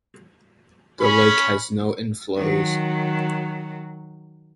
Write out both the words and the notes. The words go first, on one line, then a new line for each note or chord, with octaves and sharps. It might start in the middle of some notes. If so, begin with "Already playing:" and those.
The lake has no inflows.
C#4 B5
D#3 F#3